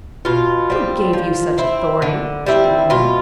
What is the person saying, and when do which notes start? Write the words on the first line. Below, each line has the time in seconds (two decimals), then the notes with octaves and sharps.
"Who gave you such authority?" she demanded.
0.25 B2 F4
0.70 G3 C4
1.13 F3
1.58 C4 E4
2.02 D3
2.46 G3 C4 E4
2.90 B2 F4